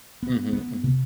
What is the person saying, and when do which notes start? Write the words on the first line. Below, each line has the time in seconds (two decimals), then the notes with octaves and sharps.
Mhm, mhm.
0.23 B3
0.53 B3
0.84 C3